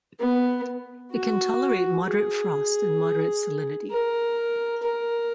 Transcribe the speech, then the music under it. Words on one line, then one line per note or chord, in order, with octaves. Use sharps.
It can tolerate moderate frost and moderate salinity.
B3
F#4
G#4
A#4
A#4